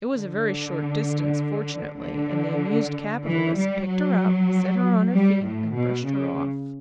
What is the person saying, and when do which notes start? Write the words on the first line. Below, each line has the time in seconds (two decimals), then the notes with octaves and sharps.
It was a very short distance, fortunately, and the amused capitalist picked her up, set her on her feet, and brushed her off.
0.14 D3
2.01 D3
3.26 E3
3.57 G3
3.88 F#3
5.13 G3
5.44 A2
5.74 B2
6.06 C#3